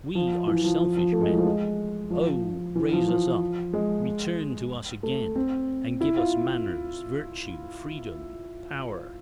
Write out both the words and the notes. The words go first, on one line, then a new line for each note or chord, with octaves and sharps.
We are selfish men O! raise us up, return to us again; And give us manners, virtue, freedom, power.
F3
E3
F3
F3
F3
A3
G#3
E3
F3
G#3
F3
E3
F3
F3
G#3
A3
C4
E4
F4